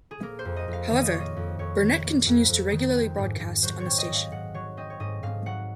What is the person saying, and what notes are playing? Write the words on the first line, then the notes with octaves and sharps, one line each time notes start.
However, Burnett continues to regularly broadcast on the station.
G#4
A#3 A#4
C5
F2
D#5
F2
F5
D#3 F5
D#5
A#3 C#5
D#5
F2
F2 C#5
D#3
A#3
F2
F2
D#3
C4
G#2
G#2
F#3 C5
C#5
C4
D#5
G#2
F5
G#2 F#5
F#3 C#5
C4 D#5
C#5
G#2 D#5
G#2 F5
F#3 F#5